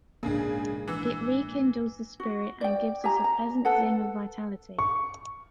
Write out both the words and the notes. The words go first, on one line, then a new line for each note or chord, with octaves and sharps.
It rekindles the spirit and gives us a pleasant zing of vitality.
A#1 G#2 C#3 G#3 A#3 D4 G#4
E3 E6
F#4
D5 G5
G4 G#5 A#5
A#5
A4 B4 F#5
C#6